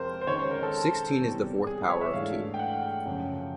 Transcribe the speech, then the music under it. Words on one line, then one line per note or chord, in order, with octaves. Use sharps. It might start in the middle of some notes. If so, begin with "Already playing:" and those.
Sixteen is the fourth power of two.
Already playing: F2 C3 F3 G#3 A#4 C5
C5
D#3 G#3 C#4 C#5
C5
A#4
A4
E2 C3 E3 G3
G#4
C#5
E5
G#2 E3 A3 D4 F5
G5
F#5
G5
F#2 C#3 F3